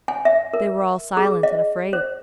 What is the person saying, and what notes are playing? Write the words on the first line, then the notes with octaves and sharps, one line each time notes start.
They were all silent and afraid.
G#5
E5
A#4
G#4
D#5
C5